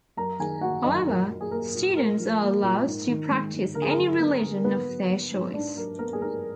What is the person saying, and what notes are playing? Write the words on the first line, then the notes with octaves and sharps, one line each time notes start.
However, students are allowed to practice any religion of their choice.
F#2 A#4 A#5
D#3 G#4 G#5
A#3 F#4 F#5
F#2 D#4 D#5
A#2 A#4
F#3
G#4
A#3 A#4
A#2
A#2 A#4
F3
A#3
A#2
G#2
D#3
G#3
G#2
D3 A#4
G#4
A#4
F#3
B3
D3
A#4
G#2 B3 B4
F#3
B3
G#2
G#2 D4 D5
F#3 A#4
B3 A#4
G#4
G#2 A#4